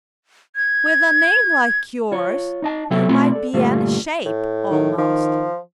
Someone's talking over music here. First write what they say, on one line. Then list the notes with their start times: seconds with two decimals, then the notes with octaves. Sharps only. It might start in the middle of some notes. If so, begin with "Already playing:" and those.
With a name like yours, you might be any shape, almost.'
0.56 G#6
2.12 F4 C#5
2.62 D#4 D#5 A5
2.90 C3 F#3 F#4 A4 E5 G5
3.09 B2 A3 C4 F4 B5 C6
3.32 A4 D5
3.53 G2 A#2 D3 G3 A3 F4
4.25 A2
4.71 D#3
4.98 D#3 F3